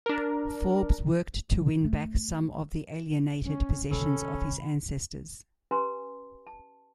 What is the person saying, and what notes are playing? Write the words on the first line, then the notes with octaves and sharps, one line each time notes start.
Forbes worked to win back some of the alienated possessions of his ancestors.
D4 A#4
F#2 A3
C#4
C3 D#3 C#4 A4 B5
C#4 G4 B4 G#5 A#5 C6
A5